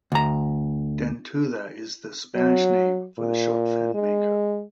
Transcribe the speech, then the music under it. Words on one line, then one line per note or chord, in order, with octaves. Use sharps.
Dentuda is the Spanish name for the shortfin mako.
D2 A#5
F#3
A#2
G#3